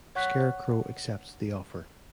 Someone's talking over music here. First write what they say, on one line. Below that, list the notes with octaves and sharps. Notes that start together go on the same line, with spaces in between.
Scarecrow accepts the offer.
C#5 F#5 C#6 F#6 G6 B6